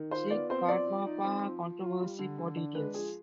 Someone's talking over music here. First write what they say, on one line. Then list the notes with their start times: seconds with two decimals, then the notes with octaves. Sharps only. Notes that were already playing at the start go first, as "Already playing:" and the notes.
See Karmapa controversy for details.
Already playing: D#3
0.11 F4 C5
0.30 B3 D5
0.50 C4 C5
0.68 F3 D5
0.87 F3
1.06 D#4
1.24 C4
1.44 F3
1.62 F3
1.82 F4
2.01 G3
2.19 D3
2.38 D3
2.57 D4
2.75 G#3 B4
2.94 F3 G#4